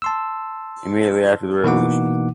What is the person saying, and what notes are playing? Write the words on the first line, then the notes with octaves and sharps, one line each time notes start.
Immediately after the Revolution.
A5 C6 E6
B2 E3 A#3 D#4 F#5 D6